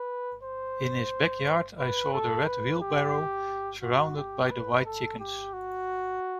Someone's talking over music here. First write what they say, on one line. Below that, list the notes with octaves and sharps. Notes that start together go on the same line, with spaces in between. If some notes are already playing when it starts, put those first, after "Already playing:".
In his back yard I saw the red wheelbarrow surrounded by the white chickens.
Already playing: B4
C5
B4
A4
B4
G4
F#4
G4
B4
A4
G4
F#4